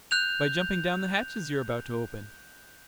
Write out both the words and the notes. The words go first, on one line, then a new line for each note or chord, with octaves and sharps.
"By jumping down the hatches you're about to open."
F#6 G6 F7